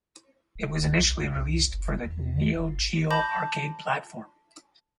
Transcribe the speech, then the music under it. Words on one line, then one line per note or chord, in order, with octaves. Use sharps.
It was initially released for the Neo Geo arcade platform.
D1
C#2
B1
F2
C2
F#1
E2
E1
G#1
A5 B5 D6 G6 A#6